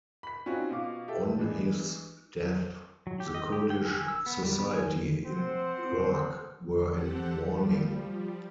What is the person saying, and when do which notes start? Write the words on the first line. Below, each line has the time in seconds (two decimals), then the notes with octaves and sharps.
On his death, the Kurdish society in Iraq were in mourning.
0.23 B5 B6
0.46 C4 C#4 D#4 F4 F#4
0.70 B2 F4 F5 D6
1.08 G4 A4 E5
1.39 E3 G#3 B3 D4
3.07 F#3
3.20 G4
3.34 D#5
3.52 G4
3.70 G5
3.85 G#5
4.08 E6
4.26 B3
4.43 G3
4.59 B3
4.74 G#5
5.25 C4 C5 F#5
6.90 C4 G4 A4 F#5
7.40 F3 G3